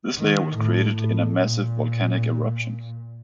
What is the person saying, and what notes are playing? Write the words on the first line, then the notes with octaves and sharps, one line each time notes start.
This layer was created in a massive volcanic eruption.
D#3
A2
A2
A#2